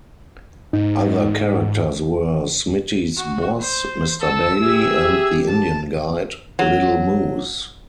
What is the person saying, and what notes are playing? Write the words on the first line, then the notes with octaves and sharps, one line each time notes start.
Other characters were Smitty's boss, Mr. Bailey, and the Indian guide, Little Moose.
G#2 D#4
F#4
C5
A4 E6
G4 G#4 E5
A5
F#3